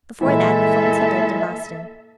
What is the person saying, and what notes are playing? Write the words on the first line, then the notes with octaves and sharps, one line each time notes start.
Before that the Fultons had lived in Boston.
A#2 E3 G#3 A#3 E4 A4 E5